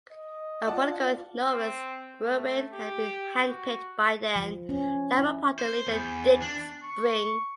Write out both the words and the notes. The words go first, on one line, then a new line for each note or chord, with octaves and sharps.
A political novice, Guerin had been hand-picked by then Labour Party leader Dick Spring.
D#5
F4 D5 F#5 A5
C4
A3
G4
F#4
F3
C#4
E4
C5
E2
D4
C#6